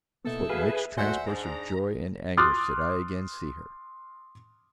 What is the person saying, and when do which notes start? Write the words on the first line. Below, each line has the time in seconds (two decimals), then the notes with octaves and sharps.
With what mixed transports of joy and anguish did I again see her!
0.25 B2 A#3 B3 D#4 E4 A4
0.50 F#4 G#4 B4 F5 F6
0.62 E5
0.97 D#2 A3 F#4 C5 D5 E5 F#5 G#5
1.27 G#2 D4 A#5
2.37 C6 D6 D#6 F6 F#6 A6